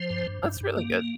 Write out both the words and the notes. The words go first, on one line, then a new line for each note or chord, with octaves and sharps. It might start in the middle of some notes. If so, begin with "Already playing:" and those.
That's really good.
Already playing: F3 C5
G2
G2
G2
G2
A#3